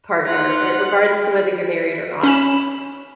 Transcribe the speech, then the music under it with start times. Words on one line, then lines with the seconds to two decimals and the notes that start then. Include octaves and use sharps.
partner, uh, regardless of whether you're married or not,
0.25 D#4 F4 F#5
2.23 C#4 B5 E7